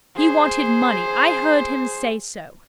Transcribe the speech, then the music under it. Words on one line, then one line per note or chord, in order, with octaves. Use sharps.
He wanted money; I heard him say so.
G#4 C5